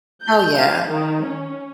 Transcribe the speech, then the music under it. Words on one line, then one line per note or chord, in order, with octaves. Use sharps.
Oh yeah.
G6
F5
D#3
C#4